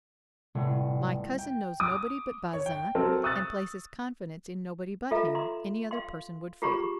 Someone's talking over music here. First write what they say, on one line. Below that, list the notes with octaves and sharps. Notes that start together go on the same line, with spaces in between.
My cousin knows nobody but Bazin, and places confidence in nobody but him; any other person would fail.
G1 A2 C3
G5
D6 D#6
C#5
G5
F#3 C4 A4 A#4
C#6 D#6 E6 F#6 A6
F4 A4 E5 F5 A#5
A#5 C6
F5 C6
F4 G4 G#4 A#5 B5 C#6